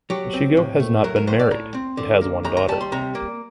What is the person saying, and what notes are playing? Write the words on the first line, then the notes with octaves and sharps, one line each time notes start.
Mashego has not been married and has one daughter.
F#3 G4
C4
A2
A3
F#3 A#4
A#4
A2 C5
D5
A2 A#5
C4
D3
A#3
D#2 A#5
A#5
G3 A5
C6
C3 A#5
A#3